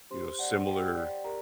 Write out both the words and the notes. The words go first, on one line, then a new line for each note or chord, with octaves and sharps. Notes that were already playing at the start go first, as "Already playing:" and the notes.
you know, similar
G4 C5 C6
D5 F#5
G4 G5
D5
G4 A#4 A#5